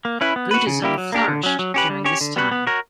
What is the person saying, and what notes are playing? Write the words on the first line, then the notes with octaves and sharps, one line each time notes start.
Buddhism flourished during this time.
A#3
C#4 E4 B4
B3
F#4 B4
C#3
G3 A#3 E4 G4
F#3
A#3 D4 G4 A#4
D3
F#3 C#4
F#3
C#4 G4 B4
G3
C#4 G4 C#5
D3
G3 B3 F#4 B4
B3
F#4 A#4 C#5